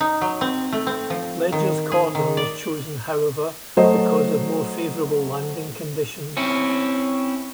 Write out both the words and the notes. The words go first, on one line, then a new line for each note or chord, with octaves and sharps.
Leger's Corner was chosen however because of more favourable landing conditions.
D#4
F#3
C4
A3
C4
F3
D#3
G#4
D#3
D5
F#3 A3 A4 C5 D#5
C4 C#4 E4